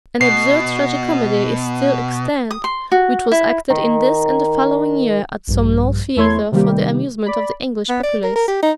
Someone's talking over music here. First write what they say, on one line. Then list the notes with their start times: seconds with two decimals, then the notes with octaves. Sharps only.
An absurd tragicomedy is still extant, which was acted in this and the following year at some low theatre for the amusement of the English populace.
0.21 B2 C7
2.51 D#6
2.64 C6
2.92 F#4
3.32 E4
3.70 D#3
5.48 A#1 G2
6.16 E2 A3 E4 C#5 C6 G#6
6.52 C3 D#3 G3 A#3 G4
7.26 D5 B5
7.89 B3
8.03 D5
8.23 A#4
8.36 A#4
8.48 G4
8.63 D#4